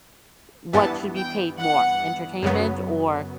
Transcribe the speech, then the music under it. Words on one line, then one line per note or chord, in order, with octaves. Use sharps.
what should be paid more, entertainment or,
G2 E3 B3 A5
G5
F#5
F#2 C#3 F#3 B3